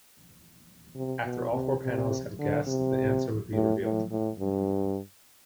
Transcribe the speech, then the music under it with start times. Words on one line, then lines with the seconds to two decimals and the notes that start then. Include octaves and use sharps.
After all four panellists had guessed, the answer would be revealed.
0.95 C3
1.24 B2
1.53 C3
1.81 C3
2.39 D3
2.67 C3
3.53 A2
3.82 A2
4.11 A2
4.39 G2